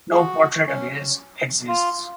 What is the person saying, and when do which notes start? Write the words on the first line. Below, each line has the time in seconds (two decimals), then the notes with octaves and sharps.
No portrait of his exists.
0.11 G#4
0.17 F#4
0.67 C#4
1.68 F4